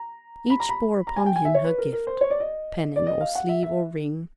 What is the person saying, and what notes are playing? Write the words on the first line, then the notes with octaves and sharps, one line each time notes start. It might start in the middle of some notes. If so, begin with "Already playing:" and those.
Each bore upon him her gift--pennon, or sleeve, or ring.
Already playing: A#5
B5
A#5
B5
A#5
G#5
G5
G#5
E5
C#5
B4
A#4
A#4
C5
C#5
D5
D#5
D5
D#5
F5
F#5
E5
E5